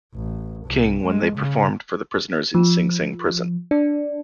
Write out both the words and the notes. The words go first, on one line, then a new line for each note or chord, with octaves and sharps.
King when they performed for the prisoners in Sing Sing Prison.
A1
C2
G#3
C#3
F3
D4